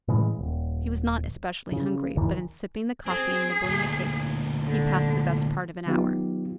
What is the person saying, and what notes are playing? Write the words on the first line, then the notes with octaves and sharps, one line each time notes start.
He was not especially hungry; but in sipping the coffee and nibbling the cakes he passed the best part of an hour.
A2 C#3 E3 G#3
D#1
C#3
F#1 C#2 D#3 E3
C4 G#4
D2 A#2
D3
D#3 F#3 B3 D#4 F4 G4